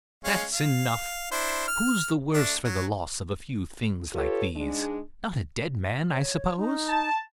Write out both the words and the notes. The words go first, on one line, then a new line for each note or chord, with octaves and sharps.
"That's enough. Who's the worse for the loss of a few things like these? Not a dead man, I suppose."
G#3 C#4 F5
F5
D4 E4 C5
F6
A3 D4
F#3
F4 G4 A4 B4 C#5
G#2 G#3 D4
C#5
D#4
A5